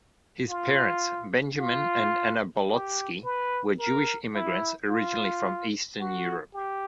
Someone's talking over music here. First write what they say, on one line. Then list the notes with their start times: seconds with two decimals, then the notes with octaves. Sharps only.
His parents, Benjamin and Anna Bolotsky, were Jewish immigrants originally from Eastern Europe.
0.50 F4
1.60 F4
2.70 G4
3.24 B4
3.79 A#4
4.34 E4
4.89 F4
6.00 F#4
6.54 G4